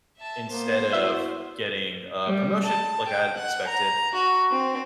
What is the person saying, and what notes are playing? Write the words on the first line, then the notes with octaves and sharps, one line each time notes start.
instead of getting a promotion like I had expected,
E5 A5
A#3 B3 C5
E4 F#4 E5 F#5
G3
A5
G5
F#5
A#5
F#4
C4